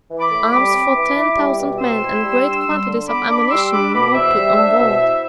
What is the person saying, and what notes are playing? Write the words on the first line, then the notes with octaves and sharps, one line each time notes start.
Arms for ten thousand men and great quantities of ammunition were put on board.
E3
B5 D6
A2
G3 B5 D6
C4
E3
E4
G3
B2
C4 C6 E6
E4
G3
D4
G3
D3
B3 B5 D6
D4 B5 D6
G3 C6 E6
D4 B5 D6
B2 B5 D6
E2 C5 E5
G3
D4
B2
E4